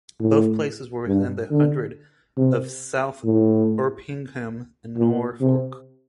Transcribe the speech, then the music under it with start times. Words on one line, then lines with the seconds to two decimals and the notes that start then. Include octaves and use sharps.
Both places were within the hundred of South Erpingham in Norfolk.
0.21 A2
1.07 G2
1.51 D3
2.37 C3
3.24 A2
4.98 A#2
5.41 C3